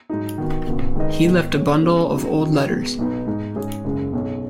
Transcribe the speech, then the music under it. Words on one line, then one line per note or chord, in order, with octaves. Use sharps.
He left a bundle of old letters.
G#2 F#3 D#4
D#3 B3 F#4
F#1 F#2 F#3 B3 F#4
D#3 G#3 D#4 B4 D#5
G#2 D#3 B3
C#3 B3 G#4 C#5
C#3 G#3 B3 G#4
C#2 C#3 F#3 B3 D#4
F#2 D#3 F#3
B2 G#3 B3
B1 B2 B3 D#4 B4
G#2 G#3 D#4
G#2 G#3 C#4 G#4
F#1 F#2 C#3 G#3
B1 B2 G#3 C#4